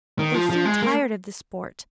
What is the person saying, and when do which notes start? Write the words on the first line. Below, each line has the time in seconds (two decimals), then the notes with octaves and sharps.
They soon tired of the sport.
0.19 D#3
0.34 F3
0.50 F3
0.65 G#3
0.82 A#3